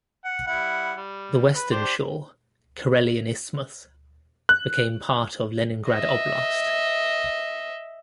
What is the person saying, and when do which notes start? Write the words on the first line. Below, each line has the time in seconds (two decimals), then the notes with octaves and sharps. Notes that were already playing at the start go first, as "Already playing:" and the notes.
The western shore, Karelian Isthmus, became part of Leningrad Oblast.
0.25 F#5
0.47 G3 E4 F#5
0.96 G3
1.55 B4
1.71 D4 G4 C5
4.49 F#6
5.88 D#5 E5